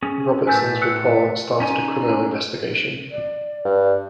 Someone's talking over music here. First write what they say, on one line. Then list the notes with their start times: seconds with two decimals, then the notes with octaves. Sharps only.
Robertson's report started a criminal investigation.
0.03 C#4 G#4
0.47 A2 A3 B4 G#5 E6 G6
0.82 E6 F#6 C#7
1.60 C#4 D#4 G#5
3.11 D5
3.65 G2